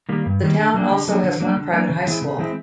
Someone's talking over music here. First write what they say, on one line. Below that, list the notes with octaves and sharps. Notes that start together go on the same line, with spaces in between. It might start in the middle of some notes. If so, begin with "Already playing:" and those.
The town also has one private high school.
D#3 G3 A#3
G2
D#3 G3 A#3
D3
F#3 A#3 D4
D3
F#3 A#3 D4
D3
F#3 A#3 D4
D3
F#3 A#3 D4
C#3
E3 G#3 C4 E4
C#3
E3 G#3 C4 E4